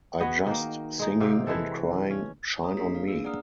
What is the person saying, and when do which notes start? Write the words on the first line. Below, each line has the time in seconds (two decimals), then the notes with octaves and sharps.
I just singing and crying 'Shine on Me'...
0.20 B3 F#4 G#4 D#5
0.46 D#3 A#3
0.99 G#3 D#4
1.20 G#2 C3 F5 G5
1.47 E3 G#3 A4
2.11 C#4
2.61 C#5 A#5 D#6
2.77 A#3 D4 F4 G#4 B6 C7
2.95 F5
3.08 A#3 D4 G#4 B4 E6
3.25 D5 F#5 A#5 D#6 F6